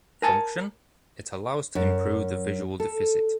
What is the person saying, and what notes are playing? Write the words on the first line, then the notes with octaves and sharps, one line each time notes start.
Function: it allows to improve the visual deficit.
A#4 G#5 A5
F#2
A4